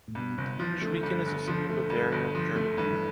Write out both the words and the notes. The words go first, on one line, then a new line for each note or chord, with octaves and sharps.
Schweigen is a city in Bavaria, Germany.
A2
G2 B2
G1 C3
E3 F3
D3 A3
E3
G2 D3
G1
F3
A3
G2
G1
F3
A3
G2 E3
D3
E3